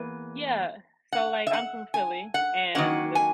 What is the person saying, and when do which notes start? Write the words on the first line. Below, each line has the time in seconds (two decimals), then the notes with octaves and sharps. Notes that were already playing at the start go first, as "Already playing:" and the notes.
Yeah, so, like, I'm from Philly, and
Already playing: E2 A#3 B4
1.12 F#5
1.47 E5
1.53 F#5
1.94 G#5
2.34 F#5
2.75 D#3 F#3 A#3 C#4 F#5
3.15 G#5